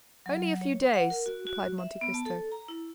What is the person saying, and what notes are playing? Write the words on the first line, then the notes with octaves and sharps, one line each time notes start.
"Only a few days," replied Monte Cristo.
F#3
C#5
F#5
A#4
F#4
F#4
E5
B3
A5
A4
A#5
E4